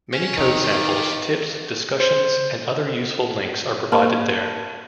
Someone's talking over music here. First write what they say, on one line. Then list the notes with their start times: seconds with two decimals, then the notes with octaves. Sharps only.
Many code samples, tips, discussions and other useful links are provided there.
0.13 C#4
0.37 D#3 D#4 C#5
0.64 F4 D5
2.00 C5
3.92 A#3 A#4 C5 A5 B5 C6